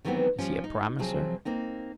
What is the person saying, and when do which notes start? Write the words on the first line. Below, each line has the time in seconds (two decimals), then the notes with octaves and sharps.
Is he a promiser?
0.05 D#3 E3 F#3 G#3 B3 C4
0.38 F3 G3 C#4
0.64 D#4
0.99 C3 F3 F#3 C4 G#4
1.45 A#3 C4 D#4